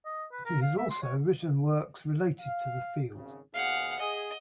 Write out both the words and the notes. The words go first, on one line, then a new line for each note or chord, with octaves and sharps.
He has also written works related to the field.
D#5
B4
A#4
F5
E5
C6
C#5
F5
G#1 C#3
D#2 B2 G#4 F5 F#5
G#4 D#5